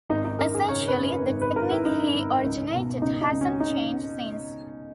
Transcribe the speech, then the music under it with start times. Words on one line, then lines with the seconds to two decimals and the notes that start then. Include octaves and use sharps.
Essentially, the technique he originated hasn't changed since.
0.09 G#1 D#4
0.25 D#4
0.39 F#2 A#4
0.54 G#4
0.68 C#3 C#5
0.88 B4
0.98 F#2
1.08 B4
1.27 G#1
1.41 B4
1.56 G#1 A#4
1.71 E4
1.85 F#2 D#4
2.15 G#1
2.43 C#2
2.73 B2
3.02 C#2 D#4
3.21 D#4
3.31 C#2
3.41 C#4
3.60 D#4